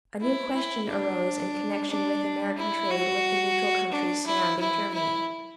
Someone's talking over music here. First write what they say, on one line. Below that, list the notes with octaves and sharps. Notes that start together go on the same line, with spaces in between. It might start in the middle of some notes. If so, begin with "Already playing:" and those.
A new question arose in connection with American trade with the neutral countries surrounding Germany.
E4
E4
D4
D4
E4
F#4
D4
E4
E4
E4